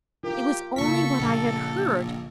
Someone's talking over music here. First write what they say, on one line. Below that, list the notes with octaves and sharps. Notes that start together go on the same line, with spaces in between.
It was only what I had heard.
F4 G4 A#4
C#3 A#3 F4 A4 C#6 B6
A#1